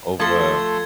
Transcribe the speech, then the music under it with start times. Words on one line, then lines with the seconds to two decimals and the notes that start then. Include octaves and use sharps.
Oh, wow.
0.20 F3 A3 A4 C6 G#6